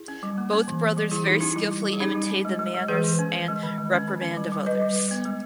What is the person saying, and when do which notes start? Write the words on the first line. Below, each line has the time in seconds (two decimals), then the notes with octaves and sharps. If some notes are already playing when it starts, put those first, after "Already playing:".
Both brothers very skillfully imitated the manners and reprimand of others.
Already playing: E4 G#4
0.08 C#4
0.23 G3
0.38 A#3
0.53 C#4
0.68 E3
0.82 E3
0.97 G3
1.11 E3 E4 G#4
1.26 E3 D#4 G4
1.41 C#4 E4
1.56 G3 E4
1.71 G3
1.85 G3
1.93 G#4
2.00 C#4 D#4 G4
2.15 G3
2.30 C#4
2.45 G#3
2.59 G#3
2.75 G#3
2.88 E3 G#4 B4
3.04 E3
3.19 C#4
3.33 C#4
3.48 G#3
3.63 D#3
3.78 G#3
3.93 C#4
4.07 D#3
4.22 C#4
4.37 G3
4.52 G3
4.66 G3 B4 D#5
4.82 G3
4.96 G3
5.11 B3
5.25 G#3